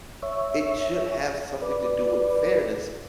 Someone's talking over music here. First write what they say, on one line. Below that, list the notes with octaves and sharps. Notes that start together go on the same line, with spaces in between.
it should have something to do with fairness
C#5 E5
B4 D5